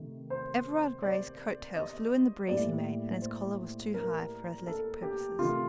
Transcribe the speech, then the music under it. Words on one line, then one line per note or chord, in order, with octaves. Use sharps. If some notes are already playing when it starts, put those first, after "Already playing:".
Everard Grey's coat-tails flew in the breeze he made, and his collar was too high for athletic purposes.
Already playing: C3 D#3 A3
C5
D5
D#5
A2 G3 A#3 D5
C5
A#4
A4
G4
C3 D#3 A3 F4